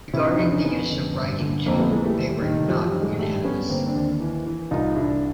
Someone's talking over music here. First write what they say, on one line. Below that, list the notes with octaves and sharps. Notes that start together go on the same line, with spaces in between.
Regarding the use of writing, too, they were not unanimous.
C3 D4 E4
D#4 F4
F2 D4 E4
C#4 D#4
F2 B3 C#4
D3
G2
D3
F2 A#3 C4
A3 B3
E3 G#3 A#3
G3 A3
D#2
D#3
F#2 F3 G3
F3 G3
D#3
F#3 G#3
G2 G3 A3
G2 B3 C#4
D3 A#3 C4
C4 D4
D#2
E3
E3
C2 D#4 F4
C2 D4 E4